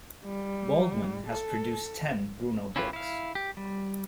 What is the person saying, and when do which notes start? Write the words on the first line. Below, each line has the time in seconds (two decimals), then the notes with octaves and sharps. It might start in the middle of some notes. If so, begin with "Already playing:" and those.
Baldwin has produced ten "Bruno" books.
0.25 G3
1.27 A4
2.76 C#4 E4 F4 G4 B4
2.93 E4 F5
3.35 G4
3.57 G3